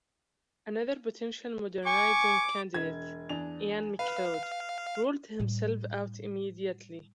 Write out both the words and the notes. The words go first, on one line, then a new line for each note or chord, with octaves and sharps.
Another potential "modernizing" candidate, Iain Macleod, ruled himself out immediately.
G#5 C#6 D6
E1 G#6
E2 D4 F7
B4 F5
A2 G3